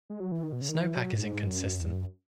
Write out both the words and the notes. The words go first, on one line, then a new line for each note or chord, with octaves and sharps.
Snowpack is inconsistent.
G#3
F#3
E3
D#3
B2
C#3
D#3
E3
F#3
G#2
F#2
E2
F#2